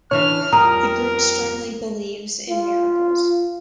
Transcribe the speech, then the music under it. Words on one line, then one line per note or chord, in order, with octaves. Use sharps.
The group strongly believes in miracles.
C#3 E3 D4 C#5 F6
F2 G3 C4 A#4 A#5 D#6 F6
F4